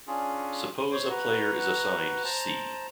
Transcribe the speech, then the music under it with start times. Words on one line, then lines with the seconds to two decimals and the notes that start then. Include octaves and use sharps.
Suppose a player is assigned "C".
0.07 C#4 D4 F4 G#4
0.92 C5 C#5 C6
1.10 F#4 B4 F#5 A#5
2.24 C5 A5 A#5